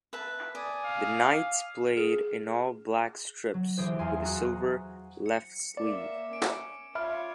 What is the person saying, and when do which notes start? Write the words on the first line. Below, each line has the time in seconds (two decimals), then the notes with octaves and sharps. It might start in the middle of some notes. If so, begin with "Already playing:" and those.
The Knights played in all-black strips, with a silver left sleeve.
0.13 B4 E5 A5
0.55 D5 G#5 D#6
0.85 F5
1.97 G#4
3.54 F#3
3.77 E3 G4 G#4 C5
3.99 E2 F5 G#5 C6
4.22 F#4 G#4 A#5 D#7
5.26 C#7
5.77 A#3 D5 E5 D6
6.33 C#4 D7
6.95 F4 C#5 E5 B5 F6 D7